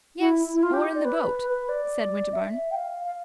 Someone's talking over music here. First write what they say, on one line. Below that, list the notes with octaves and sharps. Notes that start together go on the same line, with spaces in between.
"Yes, or in the boat," said Winterbourne.
E4
E4
F4
G4
D5
B4
B4
D5
E5
G5
F5
F5